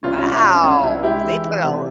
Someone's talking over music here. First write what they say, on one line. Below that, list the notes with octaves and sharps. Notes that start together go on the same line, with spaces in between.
Wow! They put al
C2 C#4 F4
C#4 F4
C2
E4
C2 C#4
C2 C#4
C2 E4
G#3 E4 G4
E3
E3
C3